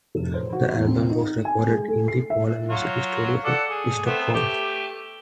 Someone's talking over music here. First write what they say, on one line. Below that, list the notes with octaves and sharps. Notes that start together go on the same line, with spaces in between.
The album was recorded in the Polar Music Studios in Stockholm.
F1
C5
F#4
E2
C4
D#4
G#5
G#3
A3
C7
E5
F#3 F4 F#4
A4 D5 F#5
G#4
A3 B3 C4
A3 G4